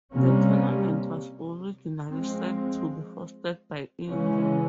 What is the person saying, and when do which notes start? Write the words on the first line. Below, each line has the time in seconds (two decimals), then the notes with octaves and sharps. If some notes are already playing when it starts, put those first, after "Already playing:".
The tournament was originally set to be hosted by India.
0.14 C3 G3 A#3 C#4
2.10 F3 G#3 C4
4.09 C#3 E3 G#3 C#4